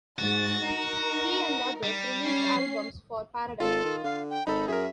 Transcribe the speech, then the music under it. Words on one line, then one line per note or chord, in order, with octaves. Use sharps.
He and others released albums for Paradise.
G#2 F#4 A6
D#4 A#4
G3
C#4 C7
G#1 F4 A4
D#3
D3 F5
G5
G#1 D#4 A4 B5
F#2 G#4 A#4 E5